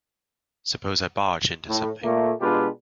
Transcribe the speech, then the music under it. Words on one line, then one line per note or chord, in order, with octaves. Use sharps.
Suppose I barge into something.
A2
A#2 A3 A#3
B2 G#3 D4 F4 G4 B4